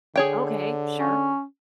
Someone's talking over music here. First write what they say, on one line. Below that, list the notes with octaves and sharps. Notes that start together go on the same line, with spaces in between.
Okay, sure.
D3 G#4 C#5 G5
C#4